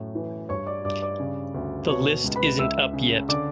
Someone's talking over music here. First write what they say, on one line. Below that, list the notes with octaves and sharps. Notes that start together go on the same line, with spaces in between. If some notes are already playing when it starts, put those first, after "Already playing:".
The list isn't up yet.
Already playing: F#2 A2
E3
G2 C#5 C#6
D5 D6
G2 D5 D6
D5 D6
C#3
D2
B2 C#5 C#6
C#2
B4 B5
C#2 E5 E6
C#3
D3 D5 D6